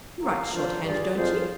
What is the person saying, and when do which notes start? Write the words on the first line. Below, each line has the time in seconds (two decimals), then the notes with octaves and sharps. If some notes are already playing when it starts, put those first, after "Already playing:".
You write shorthand, don't you?'
0.22 G2 A#4 F5 A#5
0.52 F2 D4 F4 C5
0.83 G2 F4 G#4 D5
1.14 F2 F4 G#4 C5